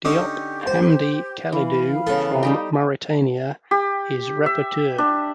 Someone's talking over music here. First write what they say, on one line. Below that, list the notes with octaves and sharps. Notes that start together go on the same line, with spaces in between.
Diop Hamdi Kalidou from Mauritania is Rapporteur.
D3 C#4 D#4 G4
C5
E3 F5 B5
C#3 B3 A4
G3 D#4 G4
G4
E5
D4